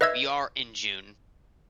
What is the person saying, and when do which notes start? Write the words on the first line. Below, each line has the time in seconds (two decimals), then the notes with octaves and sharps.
We are in June.
0.01 B4 D#5 E5 E6 G#6